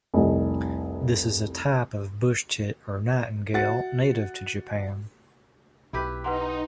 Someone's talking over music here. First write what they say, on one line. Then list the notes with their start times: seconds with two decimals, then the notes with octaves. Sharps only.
This is a type of bushtit or nightingale native to Japan.
0.14 F1 C2
3.54 F#4 E5 F#5 A6
5.93 B1 B2 E4 G4 B4
6.24 A#3 D#4 B4 F#5 C6